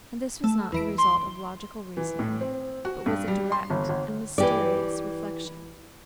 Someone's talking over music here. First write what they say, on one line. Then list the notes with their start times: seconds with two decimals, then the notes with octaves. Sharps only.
And this was not the result of logical reasoning but was a direct and mysterious reflection.
0.44 A3
0.72 E2 E3 D7
0.98 C6
1.97 E3
2.19 A2
2.41 C4
2.85 F#4
3.06 G2
3.28 G3
3.52 C6
3.70 G1
3.89 G1
4.38 E3 G4 D5